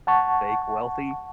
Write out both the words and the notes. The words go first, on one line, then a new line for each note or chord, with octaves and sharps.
fake wealthy.
F#5 A5 C#6